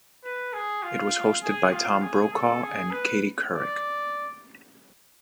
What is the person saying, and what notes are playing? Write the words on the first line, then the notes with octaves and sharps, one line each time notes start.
It was hosted by Tom Brokaw and Katie Couric.
B4
G#4
F4
G#4
F4
G#4
A4
G#4
B4
D5